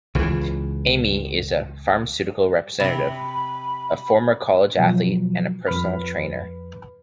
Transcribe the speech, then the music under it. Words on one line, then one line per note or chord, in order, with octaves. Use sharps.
Amy is a pharmaceutical representative, a former college athlete, and a personal trainer.
C#2 E3
C3 B5
B2 F3 F#3
F2 B4 B5 F6